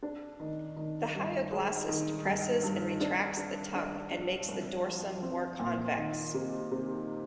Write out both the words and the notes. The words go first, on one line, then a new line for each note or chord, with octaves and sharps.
The hyoglossus depresses and retracts the tongue and makes the dorsum more convex.
D4
D#3
D#3
G2
G#3
D#3
G2
G2
D4
D4
D4
D4
C2
F3
C4
A#2
D#3
C3
C3